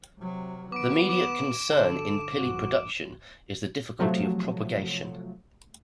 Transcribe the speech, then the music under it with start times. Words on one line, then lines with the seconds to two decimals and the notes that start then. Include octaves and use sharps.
The immediate concern in pili production is the difficulty of propagation.
0.19 C3 F#3
0.72 D#3 B3 D6 D7
1.09 D6 E7
1.70 G2 D3 A4
2.37 A#1 G2 F#4
3.99 C3 F3 F#3 A3